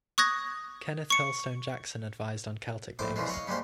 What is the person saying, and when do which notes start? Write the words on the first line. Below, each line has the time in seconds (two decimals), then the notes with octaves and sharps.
Kenneth Hurlstone Jackson advised on Celtic names.
0.18 C#6 D#6 F#6 G#6 A#6
1.10 C#6 C#7
2.99 A#1 A2 C5 D6
3.16 C2 C#3 E3 F3 G#3
3.29 C#5 D#5 F5
3.47 C#3 G3 G#3 A#3 C5